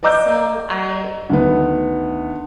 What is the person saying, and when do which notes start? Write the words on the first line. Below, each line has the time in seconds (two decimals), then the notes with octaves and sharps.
So, I
0.03 D5 D#5 A#5 D6 E6 G6
1.30 D2 D#3 B3